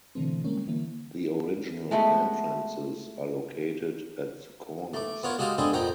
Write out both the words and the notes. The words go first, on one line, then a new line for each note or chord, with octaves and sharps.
The original entrances are located at the corners.
B2 D3 E3 A3 C4
G3 G#3 A#3 C#4
D3 E3 A#3
G#3 A3 B3
A3 D6
B3 F4 A#4 C#5 F#5
G#3 F#4 G4 A4 F5 D#6
G#3 B3 C4 D4 G#4 A4
A#1 F2 F#5 G5 A#5